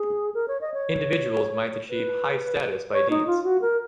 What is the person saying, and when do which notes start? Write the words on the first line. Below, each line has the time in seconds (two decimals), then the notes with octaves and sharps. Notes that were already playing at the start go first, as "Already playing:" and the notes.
Individuals might achieve high status by deeds.
Already playing: G#4
0.34 A#4
0.48 C#5
0.61 D#5
0.74 C#5
1.89 B4
2.93 C#5
3.10 D#4
3.27 F4
3.44 F#4
3.61 A#4